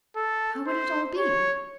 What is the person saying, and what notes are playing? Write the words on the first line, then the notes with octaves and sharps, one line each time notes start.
How would it all be?
A4
C5
C#5